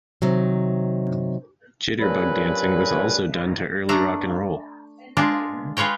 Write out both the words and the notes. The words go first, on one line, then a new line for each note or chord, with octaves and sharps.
Jitterbug dancing was also done to early rock and roll.
C3 D#3 F#3
G2 A#2 F#3 C#4 B4 B5
A3 D4 A#5
G#3 D4 F4
G#3 F4 B4 C#5 G5